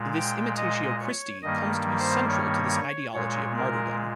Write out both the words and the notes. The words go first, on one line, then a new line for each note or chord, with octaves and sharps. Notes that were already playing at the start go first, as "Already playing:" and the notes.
This imitatio Christi comes to be central to this ideology of martyrdom.
Already playing: A#2 G#3
G5
D#5
C#5
G2 D#3 G3 A#3 D#5
C5
C#5
A#2 G#3 C#5
A#4